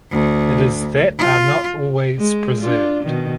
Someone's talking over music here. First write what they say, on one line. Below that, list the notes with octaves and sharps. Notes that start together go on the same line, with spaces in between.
It is that are not always preserved.
D2
F4
G#3
D4 F4
B2 D#3